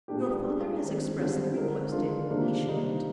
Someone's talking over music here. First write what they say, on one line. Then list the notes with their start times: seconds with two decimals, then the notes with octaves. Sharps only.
"Your father has expressly requested he shouldn't."
0.08 A#2 G#3 D4 G4
0.45 G3 D4 G#4
0.82 D#3 G#3 C4
1.19 D3 G3 C4 F4
1.56 D3 G#3 D#4 A#4
1.92 D3 G#3 D4 F4 A#4
2.29 C3 D#3 A#3 D4 F4
2.66 G3 A#3 D#4